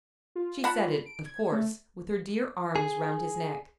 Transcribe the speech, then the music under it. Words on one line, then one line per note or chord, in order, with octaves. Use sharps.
She said it, of course, with her dear arms round his neck.
F4
F#5 A5 B5
D7
G#6
A3
G#4